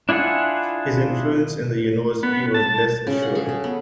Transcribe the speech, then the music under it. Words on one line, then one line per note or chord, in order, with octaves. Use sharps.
His influence in the University was less assured.
D4 E4 F4 G#4 F#5
B3
A5
C#3
F#5
G#4
A4
B3